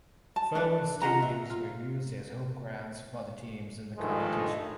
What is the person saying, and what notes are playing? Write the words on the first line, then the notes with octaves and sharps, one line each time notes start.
The following stadiums were used as home grounds for the teams in the competition.
A5
D4 A4 B4
F4 D#5 F#5 A#5
E5
F4
G2 D#3 F3 G#3 A3